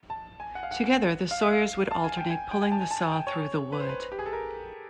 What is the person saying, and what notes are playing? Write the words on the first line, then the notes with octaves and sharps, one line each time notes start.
Together the sawyers would alternate pulling the saw through the wood.
A5
G#5
F#5
F5
F#5
F5
E5
F5
A5
G#5
G5
G#5
G5
G#5
A5
G#5
A5
G#5
G5
C#5
B4
C5
B4
G4
G#4
A4
A#4